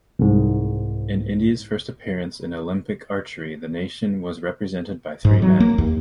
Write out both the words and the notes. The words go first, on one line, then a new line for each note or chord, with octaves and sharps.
In India's first appearance in Olympic archery, the nation was represented by three men.
C2 G#2
G#2
F#3
A#3
D#2